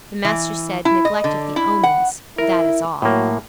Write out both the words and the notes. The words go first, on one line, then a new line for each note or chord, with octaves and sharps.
The Master said, Neglect of the omens, that is all.
E3
E4
D#5
D3
E4
F#5
E4 A#4
A2 F#3 A#3